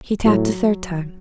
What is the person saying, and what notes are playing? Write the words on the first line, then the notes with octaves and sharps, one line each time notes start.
He tapped a third time.
A2 F#3